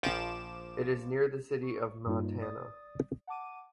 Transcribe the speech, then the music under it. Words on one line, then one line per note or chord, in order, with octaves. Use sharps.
It is near the city of Montana.
A#1 F3 D6 E7
C#6
G2 G3 A#3 D#4 F4
D5 D#6 A6
F#5 A5 D6 D#7